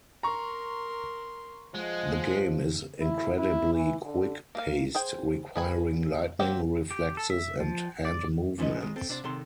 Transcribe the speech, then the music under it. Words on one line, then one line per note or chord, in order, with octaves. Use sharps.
The game is incredibly quick paced, requiring lightning reflexes and hand movements.
A#4 A#5 C6 C#6
F3 G#3 D#5 F#5
E4
E4
E3
D3
A#3 F5
G#4 C5 G5
G#4 B4 G#5
F#3 A#3 C4 G4
G4
A4
E5
F3
D5
E3 F3 C#4 A4 B4 D#5
D#3 F3 G#3
C4 A4
C3 D4 C5 D5
C3 D#3 A4 C6